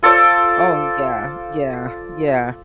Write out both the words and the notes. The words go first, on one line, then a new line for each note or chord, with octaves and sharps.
Oh, yeah, yeah, yeah.
F4 A4 C5 D5